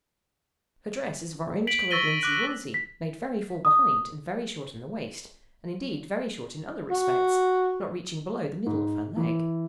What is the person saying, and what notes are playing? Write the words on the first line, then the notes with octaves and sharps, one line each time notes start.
Her dress is of orange-colored linsey-woolsey, made very full behind and very short in the waist--and indeed very short in other respects, not reaching below the middle of her leg.
B6 D7 F#7
C#6 E6 A6 A#6 D#7 G7
D6 F#6
B6
D#6
F#4
G#2
E3